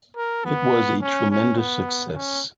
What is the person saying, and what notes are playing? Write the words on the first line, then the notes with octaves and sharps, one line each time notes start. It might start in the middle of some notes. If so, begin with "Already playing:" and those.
It was a tremendous success.
A#4
B3
C#4
C#4
B3
C#4